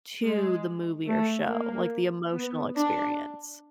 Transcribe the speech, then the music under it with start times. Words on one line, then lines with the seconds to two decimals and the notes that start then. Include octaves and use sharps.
to the movie or show, like, the emotional experience.
0.24 G#3
1.08 A3
1.50 A#3
2.33 B3
2.76 D4